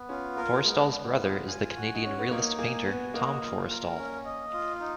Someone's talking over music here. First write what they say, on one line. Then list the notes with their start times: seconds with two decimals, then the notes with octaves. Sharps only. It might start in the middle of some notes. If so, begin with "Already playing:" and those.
Forrestall's brother is the Canadian realist painter, Tom Forrestall.
Already playing: B3
0.09 C#4 F4
0.37 A#3 A#4
0.65 G#3 B3
0.92 B3
1.20 F4
1.47 G#5
1.76 F#4
1.95 D#4
2.03 C#4 C#5
2.19 B3
2.31 A#3 D#4
2.58 A#3 G#5
2.86 B3 F#4
3.14 A#3 D#5
3.42 F4
3.70 A#4
3.97 C#4
4.25 D#5
4.53 F4
4.80 D#4